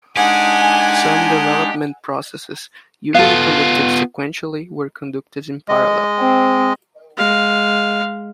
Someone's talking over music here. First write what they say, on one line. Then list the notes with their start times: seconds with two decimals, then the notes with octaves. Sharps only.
Some development processes usually conducted sequentially were conducted in parallel.
0.16 G#3 D4 D#4 G4 F#5 G#5
3.15 B3 F4 A4 F5
5.69 G#3 D#5
6.19 C4
7.18 G#3 F5